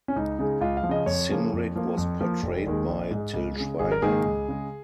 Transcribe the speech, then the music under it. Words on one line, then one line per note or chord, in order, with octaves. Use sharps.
Cynric was portrayed by Til Schweiger.
C#4
C#2 D#4
C#3 G#3
C#2 F4
F5
F3
C#3 D#5
F2 C#5
C#3 F3 A#3
F2
F3 A#3
F2
F3 A#3
F1
D#2 D#3 G#3
A#1
G#2 G#3
C#2
C#3 G#3
G#1 G#4
A#4
G#2 D#3 A#3 G#4
C#2
C#3 G#3